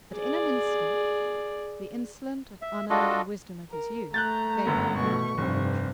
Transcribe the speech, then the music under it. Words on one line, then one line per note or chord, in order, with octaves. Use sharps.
But in an instant the insolent and unerring wisdom of his youth gave him the needed courage.
G#4 D5
E5
G3 D4 F4 F#4 A4 D#5
A#4
A3 A#5 F#6 G6 A6
G1 F#2 B3
B2 A3 C#6
F1 G2 C3